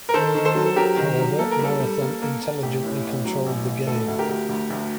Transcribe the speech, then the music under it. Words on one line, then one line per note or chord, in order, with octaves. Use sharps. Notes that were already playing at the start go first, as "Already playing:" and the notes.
However, Marathon intelligently controlled the game.
A#4
D#3 A4 C5
D#3
A4 C5
F#3
A4
F#3 G4 A#4
D#3
F#3
A#3 A4
A#4
G3
A4
G3
A#3
A#3
A#3
A1 G4
A2
A1
F#3
A1
A1
D2 A4
D2
G4 A#4
D2
D2
D2